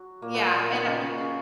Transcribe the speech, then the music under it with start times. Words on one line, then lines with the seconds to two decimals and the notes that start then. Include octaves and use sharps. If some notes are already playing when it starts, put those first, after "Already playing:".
Yeah, and a
Already playing: F#3
0.22 A#2 A#3
0.34 B3
0.46 A#3
0.59 A#3
0.71 D#3
0.86 C#3
1.01 C#3
1.18 C#3